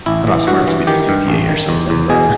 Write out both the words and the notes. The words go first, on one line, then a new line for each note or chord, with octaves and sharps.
I'm not smart enough to be the CPA or something, but
A1 E4
E3
G2 F#4
E3
D#3 G4
G2
A1
D#3
E2
E2
B2 G#4